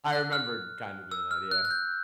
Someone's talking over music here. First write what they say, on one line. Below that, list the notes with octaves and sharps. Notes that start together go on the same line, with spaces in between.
I remembered kinda doing that, yeah.
F#6
F6
E6
F6
F#6
F#6
G6